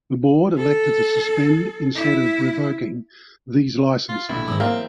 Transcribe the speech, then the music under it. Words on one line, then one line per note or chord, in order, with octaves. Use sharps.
The board elected to suspend instead of revoking these licenses.
A4
E4
F4
A#1 B2 D3 E4
G#2 D#3 A#5 D6 E6
E2 F#3 A#3 C4 E5 A#5